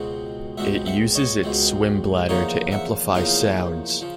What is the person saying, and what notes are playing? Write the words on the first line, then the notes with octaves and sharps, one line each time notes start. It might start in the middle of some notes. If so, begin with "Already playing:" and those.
It uses its swim bladder to amplify sounds.
Already playing: C#2 B2 G#3 C4
C#2 B2 G#3 C4 E5 F#5
E5 F#5
C#5 D#5
C#2 B2 G#3 C4
E2 C#3 F3 A#3 D#4 C#5 D#5
E5 F#5
E2 C#3 F3 A#3 D#4 D#5 F5
C#3 F3